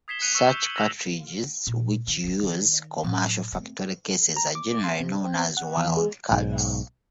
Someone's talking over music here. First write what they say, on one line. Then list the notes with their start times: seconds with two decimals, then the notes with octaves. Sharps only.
Such cartridges which use commercial factory cases are generally known as wildcats.
0.08 D#6 G#6 B6 C7 E7 G7
0.22 F#6 C#7 D#7 F7
0.35 C#6 E6 B6 C#7 E7 G7
0.50 G6
0.62 C#7 D#7 F#7
0.76 E6 G#6 A#6 B6 E7 F7
1.67 A#2
2.07 D#3
2.24 E3 C4
2.43 D#3
3.03 A2 F#3
3.53 A3 C4
4.36 A#5
4.55 D6
4.84 C6
5.00 C3
5.24 C4
5.57 F#5
5.77 E2
5.97 G#3
6.31 B1 G#2